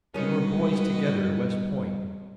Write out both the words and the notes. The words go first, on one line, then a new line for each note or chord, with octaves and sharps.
We were boys together at West Point!
D#3 G3 G#3 C#4 F#4 B4 D#5